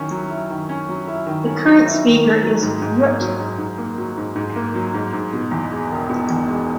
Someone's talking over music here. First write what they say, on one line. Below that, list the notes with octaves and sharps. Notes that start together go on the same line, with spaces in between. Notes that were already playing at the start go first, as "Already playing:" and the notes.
The current Speaker is Rt.
Already playing: D#3 F#3 C#4 E4
F#3
E4
D#3
C#4
F#3
E4
D#3
C#4
F#3
E4
D#3
A#3
F#3
G#2
G#2
A#3
F#3
G#2
G#2
A#3
F#3
G#2
G#2
A#3
F#3
G#2
G#2
B2
E2
G#3
E1
B2
E2
G#3